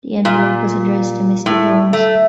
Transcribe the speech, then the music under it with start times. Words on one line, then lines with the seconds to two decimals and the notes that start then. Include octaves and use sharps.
The envelope was addressed to Mr Jones.
0.25 A#2
1.46 A2
1.93 A3